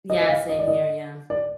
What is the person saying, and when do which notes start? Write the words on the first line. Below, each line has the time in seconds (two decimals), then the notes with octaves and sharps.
Yeah, same here, yeah.
0.10 D#5
0.21 D#5
0.29 F5
0.49 D#5
0.59 D5
0.68 D#5
1.30 D5